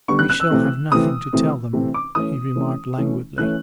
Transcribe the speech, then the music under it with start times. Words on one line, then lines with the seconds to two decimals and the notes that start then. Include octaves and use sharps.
"We shall have nothing to tell them," he remarked languidly.
0.08 D3 G3 B3 C#6
0.19 F#6
0.30 F#6
0.40 E6
0.50 C3 E3 A3 C4
0.91 C3 E3 A3 C4 D#6
1.33 C3 E3 A3 C4
1.73 C3 E3 A3 C4
1.94 D6
2.15 E3 A3 C#4 D#6
2.56 E3 A3 C#4
2.97 E3 A3 C#4
3.38 E3 A3 C#4 F#6